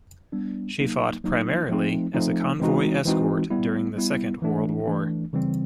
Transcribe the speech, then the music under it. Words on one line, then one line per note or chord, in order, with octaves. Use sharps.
She fought primarily as a convoy escort during the Second World War.
G3 B3 D4
F#3 A#3 D#4
F#3 A#3 D#4
F3 A3 C4 D#4
F3 A3 C4 D#4
E3 G#3 C4 D#4 F#4
E3 G#3 C4 D#4 F#4
G3 B3 E4
G3 B3 E4
E3 A3 D4
E3 A3 D4
C#3 E3 G3 C4